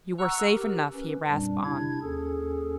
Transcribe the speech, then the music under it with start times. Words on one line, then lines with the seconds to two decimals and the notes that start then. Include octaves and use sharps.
"You were safe enough," he rasped on.
0.19 F#5 A#5 C#6 E6 F#6
0.54 G4 A#4
0.94 C#4 B4
1.29 F2 A#2 G3 D4
1.64 C3 D4 E4 G#6
2.02 D#2 C#4 G#4 A4